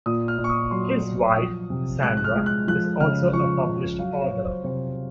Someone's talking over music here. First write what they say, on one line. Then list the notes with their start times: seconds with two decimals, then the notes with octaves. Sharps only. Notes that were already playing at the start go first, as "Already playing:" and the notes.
His wife, Sandra, is also a published author.
0.06 A#2 D#6
0.28 F6
0.38 A#2
0.44 C#6
0.50 D#6
0.71 F#3 C6
1.04 F#3
1.30 C#6
1.37 F3 D#6
1.70 C3
2.02 G#3 F#6
2.17 F#6
2.24 F6
2.36 G#3
2.46 F#6
2.68 F3 F#6
3.00 C#3 F6
3.33 F3 C#6
3.66 C#3
3.99 F#3 F5
4.21 C#5
4.32 F#3
4.43 C5
4.64 C3 C5